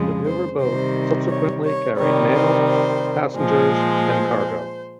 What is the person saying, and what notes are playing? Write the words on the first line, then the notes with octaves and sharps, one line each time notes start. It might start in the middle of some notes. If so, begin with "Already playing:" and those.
The river boat subsequently carried mail, passengers and cargo.
Already playing: F2 C#3 F3 G#3
C5
C3 D#3 G3 C5
C#5
C#5
C3 D#3 G3 C#5
C5
C5
A#2 F3 G#3 C5